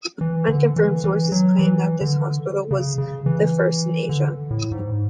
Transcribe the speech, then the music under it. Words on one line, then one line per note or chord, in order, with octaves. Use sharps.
Unconfirmed sources claim that this hospital was the first in Asia.
E3
D3
E3
E3
F#3
E3
D3
C#3
C#3
E3
D3
A2
G#2